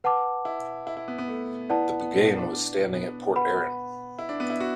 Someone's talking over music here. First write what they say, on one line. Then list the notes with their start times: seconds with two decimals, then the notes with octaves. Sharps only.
The Buggane was standing at Port Erin.
0.04 B4 F#5 A5 D6
0.45 E4
0.87 E4
0.97 E4
1.08 B3
1.18 B3
1.28 A3
1.70 B3 E4 B4 D5 F#5 A5
2.00 B3
2.11 A3
2.25 B3
2.38 D4
2.94 B3
3.36 B4 F#5 B5
4.19 E4
4.29 D4
4.40 B3
4.50 E4
4.60 F#4